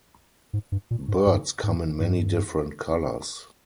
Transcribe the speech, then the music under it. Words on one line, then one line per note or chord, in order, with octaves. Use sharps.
Birds come in many different colors.
G#2
G2
A#2
G#2
G2
G#2
G2